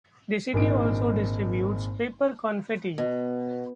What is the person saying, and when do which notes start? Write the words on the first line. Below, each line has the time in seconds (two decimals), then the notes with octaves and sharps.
The city also distributes paper confetti.
0.53 G#1 A#2 A#3 D4 D#4 D7
2.98 B2